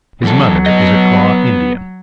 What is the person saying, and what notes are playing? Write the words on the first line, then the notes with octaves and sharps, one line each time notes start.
His mother is a Kaw Indian.
E2 F#3 A4
B3 D#5